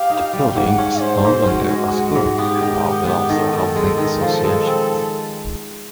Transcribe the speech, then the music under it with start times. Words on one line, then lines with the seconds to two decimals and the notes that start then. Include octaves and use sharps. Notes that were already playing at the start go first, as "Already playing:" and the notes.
The building is no longer a school and now belongs to a housing association.
Already playing: G4 F5
0.10 D#4
0.33 G3
0.55 G#2 F#5
0.78 C#4
1.01 C#4 C5
1.25 G#2
1.47 C#4 F#4
1.70 G#3
1.92 G#3
2.15 G#2
2.38 B3 G4
2.61 D#3
2.84 B3
3.06 B3
3.29 D#3 A4
3.53 D#3
3.76 G#3
3.98 D#3
4.21 F3 A4
4.44 G#3
4.67 C4